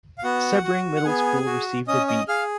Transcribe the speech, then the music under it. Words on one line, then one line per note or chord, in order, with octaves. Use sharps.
Sebring Middle School received a B.
F5
B3 F#4 F#5
F#4
F#5
B3 G#4 G#5
F#4
C#4 D#5 D#6
D#5 D#6
G#4 F5 F6